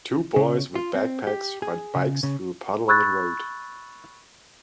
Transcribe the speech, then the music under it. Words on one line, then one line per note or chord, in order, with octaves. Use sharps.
Two boys with backpacks ride bikes through a puddle on the road.
C#3
F4
C4
G4
G#4
C#3
C#3
B5 C#6 E6 F#6 G#6 A6